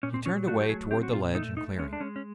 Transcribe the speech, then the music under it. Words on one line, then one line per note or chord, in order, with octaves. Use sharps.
He turned away toward the ledge and clearing.
A#2 C#4
C4
F#3 C#4
A3 F#4
G4
F#3 G#4
C4 G4
F#4
A#2 F4
A3 D#4
A3 D#4
G#3 C#4
D4
G#3 C#4
C#4